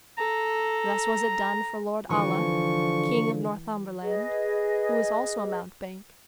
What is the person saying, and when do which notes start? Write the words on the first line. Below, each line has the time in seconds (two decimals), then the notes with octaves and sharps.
Thus was it done for Lord Alla, King of Northumberland, who was also a mountebank.
0.18 A4 A#5
2.10 D3 E3 F3 C#6
4.02 G#4 B4 D#5